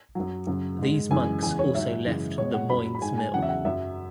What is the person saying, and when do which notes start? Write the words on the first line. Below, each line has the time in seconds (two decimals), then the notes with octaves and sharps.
These monks also left the "Moines Mill".
0.15 F#2 F#3
0.47 F#2 C#3 F#3
0.79 G#2 G#3
1.11 F#2 C#3 E3 G#3 G#5
1.43 E2 C#3 E3 G#3 G#5
1.59 C#5
1.74 G#2 F#3 E5
2.06 F#2 C#3 E3 G#3
2.38 B2 G#3 C#5
2.54 F#5
2.70 F#2 F#3 B5
2.95 B5
3.01 G#2 G#3 G#5
3.18 G#5
3.34 E2 C#3 F#3 F#5
3.42 E5
3.49 F#5
3.65 F#2 F#3 E5